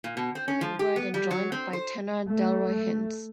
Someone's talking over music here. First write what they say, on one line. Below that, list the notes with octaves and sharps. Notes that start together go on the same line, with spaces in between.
They were then joined by tenor Delroy Hinds.
A#2
B2
C4
C#4
F3
G4
B3
G3
F#3
C4
C5
A3